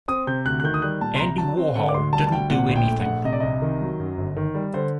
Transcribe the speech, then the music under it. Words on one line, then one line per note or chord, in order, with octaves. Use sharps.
Andy Warhol didn't do anything.
C4 D#6
C3 G6
D2 F#6
F#6
D#3 G6
D#6
G3 F#6
A#2 A5
C6
C2 A#5
F#3 A5
C4
D3 F#5
D6
D2 C6
G3 A5
A5
D2 G5
A#2 F#5
A#1
G5
A3
F#5
A#1
C3 D#5
D5
C2 D#5
D#3
F#3
F#2
G1
D#3
G3
D3 C5